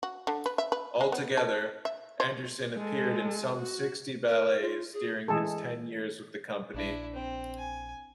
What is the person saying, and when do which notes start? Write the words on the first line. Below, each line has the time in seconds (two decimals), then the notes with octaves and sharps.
Altogether, Andersen appeared in some sixty ballets during his ten years with the company.
0.03 F#4
0.27 D3
0.46 B4
0.58 E5
0.72 B4
1.01 G#3
1.12 B3
1.37 A4
1.85 E5
2.20 C5
2.76 G#3 A4
3.55 F#4
4.28 A#4
4.62 F4
4.93 G#4
5.28 E3 G#3 G#4 A4
6.74 A#1 D4 E4
7.14 C4
7.58 G#5